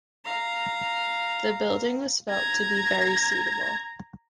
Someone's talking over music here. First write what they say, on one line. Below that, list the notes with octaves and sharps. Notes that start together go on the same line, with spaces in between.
The building was felt to be very suitable.
F5 A#5
A#5 G#6